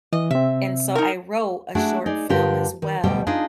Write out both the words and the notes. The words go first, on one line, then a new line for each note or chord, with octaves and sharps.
And so I wrote a short film as well,
E3 D#5
C3 C4 E5
D#4 A#4
A3 D4 E4 F#4 G#4
D#4 G#4 D5
G2 D3 F4 G4 A#4
D#3
D2 B2 G3 G4 G5
D4 D#4 F4 G#4